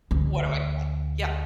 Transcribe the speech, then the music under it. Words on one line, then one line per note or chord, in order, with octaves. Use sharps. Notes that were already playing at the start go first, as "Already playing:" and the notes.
What do I say?" yeah.
D2